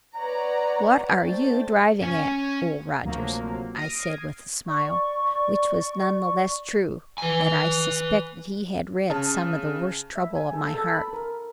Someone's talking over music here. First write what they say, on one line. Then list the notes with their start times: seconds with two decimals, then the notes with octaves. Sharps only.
"What ARE you driving at, Old Rogers?" I said with a smile, which was none the less true that I suspected he had read some of the worst trouble of my heart.
0.16 B4 C#5 D5 F#5 A#5
1.22 A3 D4 C5 G5 A6
2.02 C#4 G#5
3.03 D2 C3 F3 F#3 A#3
3.76 D#6 F6 A#6 C7 D7 D#7
4.09 G#6
4.67 D5 C#6
7.18 B4 G#5
9.10 C#3 A5
10.16 E5
10.35 G#5
10.53 A4
10.74 A4
10.94 B5
11.13 A#4